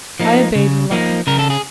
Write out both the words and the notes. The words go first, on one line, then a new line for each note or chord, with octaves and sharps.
I obeyed reluctantly.
F3 A#3 D#4
C#3
F3 A#3 D#4
C#3 A#4
A4
G#4